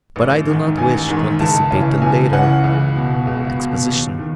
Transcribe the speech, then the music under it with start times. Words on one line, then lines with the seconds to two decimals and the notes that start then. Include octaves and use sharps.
But I do not wish to anticipate the later exposition.
0.16 A1
0.47 G#2 D#3
0.77 A1 G#5
1.08 G#2 D#3
1.40 C#2 A5
1.71 C#3 E3
2.01 C#2 G#5
2.33 C#3 E3 F#5
2.64 C#2
2.96 B2
3.27 C#2
3.57 B2
3.89 D#2
4.19 D#3